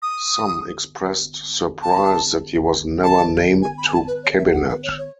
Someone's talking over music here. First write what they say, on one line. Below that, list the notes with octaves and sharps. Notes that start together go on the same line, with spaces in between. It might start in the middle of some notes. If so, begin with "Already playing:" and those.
Some expressed surprise that he was never named to cabinet.
D#6
A5
A5
G#5
B5
G#5
A5
B4
C#5
E5
F#5
B4
C#5
C#5